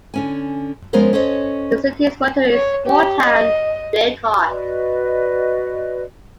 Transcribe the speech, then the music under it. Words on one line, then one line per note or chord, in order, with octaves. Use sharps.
The city's motto is Small town; Big heart.
D3 C#4 G#5
F3 G#3 B3 C#4 A#4 C5
C#4 A4 C5 C#5 D#5
C#5
G4
D#5
F#4 B4 D5 D#5